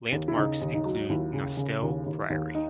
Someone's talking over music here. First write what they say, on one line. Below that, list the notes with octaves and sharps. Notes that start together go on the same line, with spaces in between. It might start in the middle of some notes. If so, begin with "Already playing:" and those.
Landmarks include Nostell Priory.
D#2
E4
C#3 D#4
D#2
D#4
F#3
D#2 E4
C#3
C#3
D#2
D#2
D#2
D#4